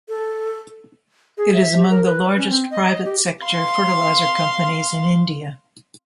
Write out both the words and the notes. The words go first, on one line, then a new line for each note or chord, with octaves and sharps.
It is among the largest private sector fertiliser companies in India.
A4
G#4
E5
G4
A#4
B4
C#4
C4
D#5
G4
F5 C6